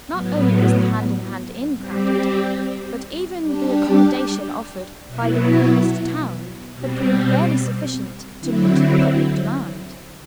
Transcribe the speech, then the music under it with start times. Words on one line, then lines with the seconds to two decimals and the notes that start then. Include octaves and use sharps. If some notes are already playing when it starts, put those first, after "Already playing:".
Not only was the Hand-in-Hand inn crowded, but even the accommodation offered by the nearest town had proved barely sufficient to meet the public demand.
0.10 A2 F#3 B3
1.76 G3 C4 G4
3.42 G3 D4 G4
5.08 B2 F#3 B3 E4
6.73 B2 G3 C4
8.40 D3 F#3 C4 E4